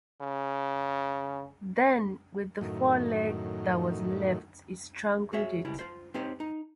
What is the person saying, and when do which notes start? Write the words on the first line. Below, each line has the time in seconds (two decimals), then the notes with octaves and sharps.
Then with the foreleg that was left, it strangled it.
0.21 C#3
2.61 F#2 A2 D#3
5.33 F#4 G#4 C#5 E5
5.65 C#2 G3 E4
5.79 F4 C5
6.14 C4 D#4 G4 C5 C#5
6.40 D#4